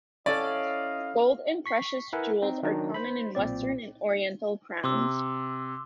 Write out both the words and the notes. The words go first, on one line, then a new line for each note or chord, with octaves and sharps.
Gold and precious jewels are common in western and oriental crowns.
C#4 E4 A4 D5 D#5 F5
C#6 B6 C7
E4 A#4 B4 E5 F#5 G#5
C4 D#4
D#3 F#3 D4 D#4
C5 B5
B1 A#2 C4 D5
C3 C6 D6 E6